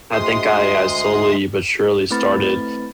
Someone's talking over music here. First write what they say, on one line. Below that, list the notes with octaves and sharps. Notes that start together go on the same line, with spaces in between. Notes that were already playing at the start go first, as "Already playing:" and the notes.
I think I I slowly but surely started,
D2 G#3 C6 D#6
A3 C4 E4 B4 B5 A6